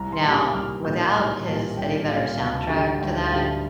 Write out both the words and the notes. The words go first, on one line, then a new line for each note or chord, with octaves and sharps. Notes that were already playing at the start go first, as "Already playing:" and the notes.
Now, without his Eddie Vedder soundtrack to that,
Already playing: C2 A#5
C6
A#2 G3
D6
C2 F6
A#2 G3 G6
C2 F6
A#2 G3 A5
C2 G5
A#2 G3 F5
F5
D2 F5
A5
D3 G3
G5
D2 G5
F5
D3 G3 G5